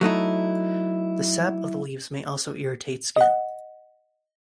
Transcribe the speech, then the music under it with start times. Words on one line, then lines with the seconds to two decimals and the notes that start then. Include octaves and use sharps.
The sap of the leaves may also irritate skin.
0.01 F#3 A3 D#4 E4
3.16 D#5 F#5